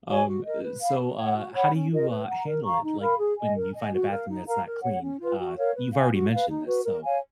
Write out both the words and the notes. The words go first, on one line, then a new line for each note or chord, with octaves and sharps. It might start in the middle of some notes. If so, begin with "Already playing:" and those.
Um, eh, so, uh, how do you, uh, handle it? Like when you find a bathroom that's not clean, uh, you've already mentioned this, so
F#4 C#5 G#5
F#4
A#4 D#5
B4
F5 B5
F#4
C#5 F#5
F#4
C#5 F#5 B5
C#4
F4 A#4 D#5
B4
F#5 A#5
A#4
F5 A#5 C#6
D#4
A#4 F5 B5
G#4
D#5 G#5
A#4
D#5 G#5
F#4
A#4 F5
D#4
A#4 F5 A#5
A#4
C#5 F#5
C#4
F4 B4
F#4
A#4 C#5 F5
B4
F5 G#5
F#4
B4 F5
D#4
F#4 B4
A#4
C#5 F5 G#5